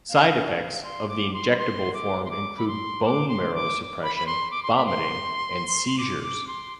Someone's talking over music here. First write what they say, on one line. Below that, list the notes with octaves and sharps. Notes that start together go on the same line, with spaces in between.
Side effects of the injectable form include bone marrow suppression, vomiting, and seizures.
F5
C6
D6
C6
B5
C6
D6
C6
D6
B5
C6
D6
C6
D6
B5
B5
C6
D6
C6
B5
C6
D6
D6
C6